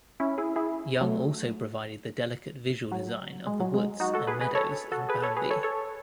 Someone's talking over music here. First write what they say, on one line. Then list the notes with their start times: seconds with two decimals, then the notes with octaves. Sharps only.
Young also provided the delicate visual design of the woods and meadows in "Bambi".
0.20 C#4 E4
0.38 E4 G#4
0.56 E4 G#4
1.01 F#3 A3
2.92 F#3
3.47 G#3
3.60 F#3
3.74 G#3
4.00 D#4 F#4
4.13 F#4 A4
4.27 G#4 B4
4.41 G#4 B4
4.55 A4 C#5
4.92 F#4 A4
5.09 G#4 B4
5.22 A4 C#5
5.37 G#4 B4
5.50 A4 C#5
5.63 A4 C#5